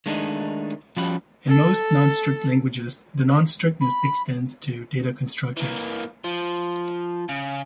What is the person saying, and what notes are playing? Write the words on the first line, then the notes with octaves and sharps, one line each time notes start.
In most non-strict languages the non-strictness extends to data constructors.
D#3 G#3 A3 D4 D#4
F3 G3 C#4 F#4 B5
A4
B5
E3 A#3
F3
C#3